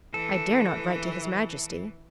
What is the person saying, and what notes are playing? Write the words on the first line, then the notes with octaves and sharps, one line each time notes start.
"I dare not write to his majesty."
E3 A4